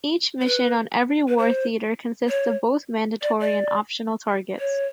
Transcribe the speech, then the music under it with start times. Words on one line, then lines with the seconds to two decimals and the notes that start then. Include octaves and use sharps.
Each mission on every war theatre consists of both mandatory and optional targets.
0.41 C5
0.46 B4
1.28 B4
1.38 C5
2.29 C#5
3.22 D5
3.40 D5
4.59 C#5